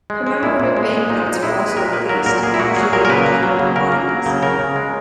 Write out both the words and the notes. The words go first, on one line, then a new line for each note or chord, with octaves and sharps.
Commemorative banknotes are also released, usually in limited quantities.
G#3
G#3
A#2 E4
A#2
G#3
G#3
A#2 D#4
A#2
D#4
G#3 E4
G#3
B4
A#2 A#4
A#3 B4
F#3 A#4
A#2 A#4
A#2 G#4
E4
A#3 F#4
F#3 G#4
A#2 A#4
A#4
C#3 B4
A#3
F#3
C#3
C#3 A#4
A#3
F#3
C#3
C#3 A#4
C#3
G#3